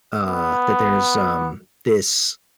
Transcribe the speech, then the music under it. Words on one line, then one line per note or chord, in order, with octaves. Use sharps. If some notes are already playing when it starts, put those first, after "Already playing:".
uh, that there's, um, this
B3